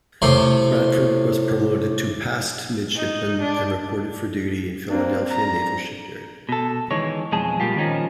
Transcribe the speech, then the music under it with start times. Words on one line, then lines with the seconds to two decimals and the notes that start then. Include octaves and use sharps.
Radford was promoted to passed midshipman and reported for duty in Philadelphia Naval Shipyard.
0.22 A2 C3 C5
2.95 D#4
3.41 D4
4.90 A#3 C4 D4
5.31 A#5
6.49 B2 A4
6.91 D#3 E3 G#3 C#5
7.32 B1 F2 G#3 G#4 A5
7.60 A#2 G3 A#3 F4 G4
7.77 D#3 F3 C#4 D#4 D#5